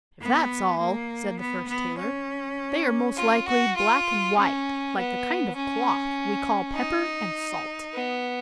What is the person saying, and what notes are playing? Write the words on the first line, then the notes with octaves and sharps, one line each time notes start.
'If that's all,' said the first tailor, 'they are most likely black and white, like the kind of cloth we call pepper-and-salt.'
B3
A#3
B3
B3
C#4
F4
F#4
F4
C#4
B3
C#4
D#4
B3